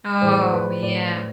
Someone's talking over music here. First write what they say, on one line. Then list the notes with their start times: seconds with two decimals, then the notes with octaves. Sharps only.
Oh, yeah.
0.21 A2 E3 G#3 C5
0.32 D5
0.41 C5
0.52 B4
0.83 A2 D5